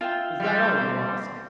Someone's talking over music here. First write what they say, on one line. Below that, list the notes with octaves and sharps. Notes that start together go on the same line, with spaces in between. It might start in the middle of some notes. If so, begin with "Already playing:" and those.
"Is that all you ask?"
F4 E5 G5
G3 C4